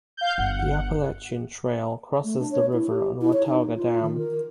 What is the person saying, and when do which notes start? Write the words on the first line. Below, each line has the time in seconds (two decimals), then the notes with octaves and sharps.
The Appalachian Trail crosses the river on Watauga Dam.
0.17 F5 G6
0.38 G1 F#5
2.24 A3
2.39 D4
2.51 C#5
2.73 E4
2.89 G4
3.21 E4
3.33 C#5
3.47 D#4
3.76 F4
4.02 D#3
4.18 A#4